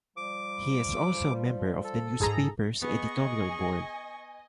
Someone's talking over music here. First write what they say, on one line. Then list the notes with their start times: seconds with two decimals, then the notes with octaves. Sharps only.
He is also a member of the newspaper's editorial board.
0.17 F3 G3 D6
1.84 A4
2.20 G#2 G#4 A#5
2.82 B3 G#4 D#5 G#5 C#6